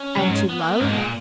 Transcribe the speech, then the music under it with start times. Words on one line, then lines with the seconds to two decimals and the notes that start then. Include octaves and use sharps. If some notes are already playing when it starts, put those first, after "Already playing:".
"And to love."
Already playing: C#4
0.18 F#3
0.28 G#2
0.49 B3
0.60 A#3
0.71 B3
0.81 G#2 A#3
0.91 B2 G#3
0.97 A#2